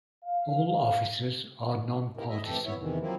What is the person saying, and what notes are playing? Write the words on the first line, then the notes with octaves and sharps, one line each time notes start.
All offices are non-partisan.
F5
C#3 A#3 D#4 E4 G4 A#4
E4 D#5 E5
A2 C3 E3 G4 A4
B3 E4 C#5 E5
E2 C3 D#3 E3
F3 F#3 A#3 C4 E4